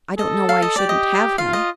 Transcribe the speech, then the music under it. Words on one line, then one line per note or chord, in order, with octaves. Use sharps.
I don't know why you shouldn't have him.
A4 D#5
F5
D#5
G4 D5
D#5
F4 F5
D#5